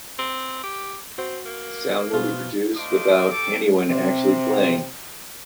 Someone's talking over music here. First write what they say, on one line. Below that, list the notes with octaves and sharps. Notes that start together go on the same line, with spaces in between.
Sound will be produced without anyone actually playing.
C4
G4
C4 F#4
A#3
B2 F4 C5
A3 D4 C5 D#5 F5 D6
G4 A4 D6
C3 C4